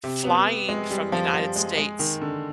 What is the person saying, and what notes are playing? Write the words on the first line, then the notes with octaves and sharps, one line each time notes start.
flying from the United States
C3
B3
G#3
G3
F3
G3
G#3
G#3
D#3
D3